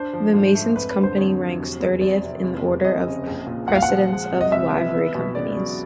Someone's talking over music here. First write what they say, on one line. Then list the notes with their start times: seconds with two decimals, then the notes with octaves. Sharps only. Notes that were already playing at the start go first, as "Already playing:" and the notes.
The Masons' Company ranks thirtieth in the order of precedence of Livery Companies.
Already playing: D4 C5
0.13 F3
0.34 G#2
0.55 A3
0.76 F2 B4
0.90 B4
0.97 D3
1.03 C5
1.18 F2 C#5
1.38 F#3
1.60 F1
1.80 E2
2.01 F1 D5
2.22 C3
2.43 F1
2.64 E2
2.84 F1 D#5
3.06 C#3
3.27 A#1
3.47 A#2
3.68 A#1 F#5
3.76 F5
3.83 F#5
3.89 F3
4.10 G#3
4.31 C3
4.41 D#5
4.51 C2 E5
4.72 E3
4.94 B3
5.15 B2
5.35 C#2 D5
5.56 F#3